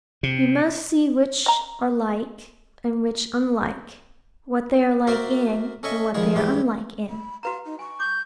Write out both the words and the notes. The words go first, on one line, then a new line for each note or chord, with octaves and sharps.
You must see which are like, and which unlike; what they are like in, and what they are unlike in.
C3
D#5 A#5
F#4 A#4 C5 D5 E5 F5
C#4 A4 D#5 E5 G#5 C#6
D#3 F3 G3 G#3 G#4
G#2 E3 G3 G4
B5
F#4 B4 F5 A#5
D#4
G#5 C#6
D6 G6